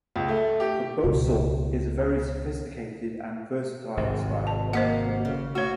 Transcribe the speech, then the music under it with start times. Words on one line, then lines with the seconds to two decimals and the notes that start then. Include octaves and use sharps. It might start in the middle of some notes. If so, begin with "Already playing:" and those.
The bosal is a very sophisticated and versatile style of hackamore.
0.16 C#2
0.28 A3
0.60 G4
1.04 C#2 B2
3.97 G#1 C3
4.47 A5
4.73 A#3 C5 D#5 F#5
5.25 C#3
5.55 A3 F#4 C#5